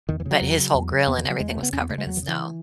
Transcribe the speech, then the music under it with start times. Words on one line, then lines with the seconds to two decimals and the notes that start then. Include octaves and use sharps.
But his whole grill and everything was covered in snow.
0.09 E2 D#3
0.20 E3
0.25 C#3
0.31 F#3
0.41 E2
0.58 C#3
0.74 E2
0.92 C#3
1.07 E2 B3
1.18 E3
1.24 C#3
1.29 F#3
1.40 E2 G#3
1.51 A3
1.57 C#3
1.63 B3
1.73 E2 C#4
1.81 B3
1.89 C#3 A3
1.98 G#3
2.06 E2 F#3
2.17 E3
2.23 C#3
2.28 E3